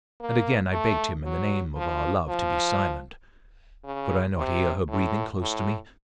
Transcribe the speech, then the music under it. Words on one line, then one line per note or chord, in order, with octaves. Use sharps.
And again I begged him in the name of our love to be silent. Could I not hear her breathing close to me?
A#3
A3
F#3
F3
F3
C#3
C3
A2
A2